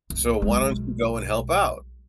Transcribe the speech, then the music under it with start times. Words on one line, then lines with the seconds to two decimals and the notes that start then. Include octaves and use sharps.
so, why don't you go and help out?"
0.10 C2
0.42 B1 G#3